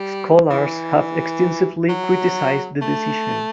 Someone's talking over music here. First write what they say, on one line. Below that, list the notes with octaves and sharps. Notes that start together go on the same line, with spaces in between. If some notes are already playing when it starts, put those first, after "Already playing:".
Scholars have extensively criticized the decision.
Already playing: G3
E3
F#3
A3